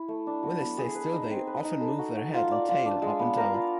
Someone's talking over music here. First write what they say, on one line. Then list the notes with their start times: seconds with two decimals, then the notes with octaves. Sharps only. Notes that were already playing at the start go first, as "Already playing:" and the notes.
When they stay still, they often move their head and tail up and down.
Already playing: E4
0.08 A3
0.27 D4
0.43 F#3
0.61 B3
0.78 G#4
0.95 B4
1.13 D#4
1.30 C4
1.47 B4
1.65 D#4
1.81 A4
1.98 F#4
2.16 F#4
2.34 F4
2.51 D5
2.68 F4
2.86 D4
3.02 G#3
3.19 B3
3.37 A#4
3.54 F4